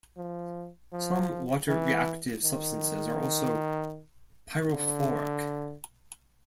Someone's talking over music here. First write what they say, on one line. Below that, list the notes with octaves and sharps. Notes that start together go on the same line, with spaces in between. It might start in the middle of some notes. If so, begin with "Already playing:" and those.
Some water-reactive substances are also pyrophoric.
F3
F3
E3
D#3
D3